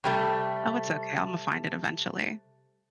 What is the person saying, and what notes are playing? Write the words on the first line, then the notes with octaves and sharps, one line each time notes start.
Oh, it's okay, Imma find it eventually.
C3 G3 A3